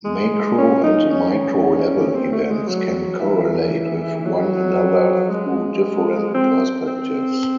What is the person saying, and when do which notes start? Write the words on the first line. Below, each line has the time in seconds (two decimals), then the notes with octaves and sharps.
Macro and Micro level events can correlate with one another through different perspectives.
0.05 G#3
0.58 C#4
0.84 D#4
1.10 C#4
2.15 C4
2.33 A3
2.50 G#3
2.68 F#3
3.20 E3
4.25 F#3
5.30 G#3
6.35 C4
6.87 C4